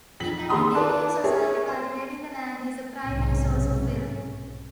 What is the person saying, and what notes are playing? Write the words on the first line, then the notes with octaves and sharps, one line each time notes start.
In an agrarian society cultivating the land is the primary source of wealth.
F2 B6 F#7
D#2 G#4 A#5 C6 D#6 E6
A4 B4 D5 A5 D6 F#6
G4 G#4 A#4 C#5 E5
C5
B1 G#2 C3 C#4